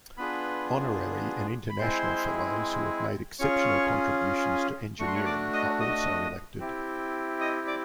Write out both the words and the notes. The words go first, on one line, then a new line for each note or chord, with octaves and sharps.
Honorary and International Fellows who have made exceptional contributions to engineering are also elected.
B3 D4 F4 G#4 B4 B5
B5
G#3 C4 E4 G#4 C5 C6
C#4 F4 G#4 C#5 C#6
A3 D4 F#4 C#6
C6
C#5 C#6
D5 D6
D#5 D#6
D#5 D#6
C4 E4 G4
D#5 D#6
D5 D6